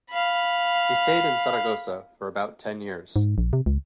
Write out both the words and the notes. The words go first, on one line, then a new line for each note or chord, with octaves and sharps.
He stayed in Zaragoza for about ten years.
F5 B5
G#2
A#1
C3
C#2